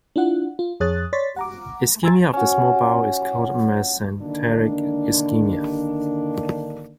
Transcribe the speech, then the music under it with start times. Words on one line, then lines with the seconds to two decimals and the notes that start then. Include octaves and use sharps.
Ischemia of the small bowel is called mesenteric ischemia.
0.16 D4 E4 F4 F#5
0.59 F4
0.80 F2 G#4 C#5 D#6 F#6 A6
1.13 C#5 D5 C6 A6 B6
1.36 F#5 A#5 D6
2.03 G#5 A#5 C6 E6 G#6 A6
2.33 C#4 F#4
4.21 D3 D#3 A#3 D4